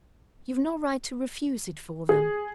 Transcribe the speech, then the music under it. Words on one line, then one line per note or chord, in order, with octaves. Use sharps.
You've no right to refuse it for them.
G#4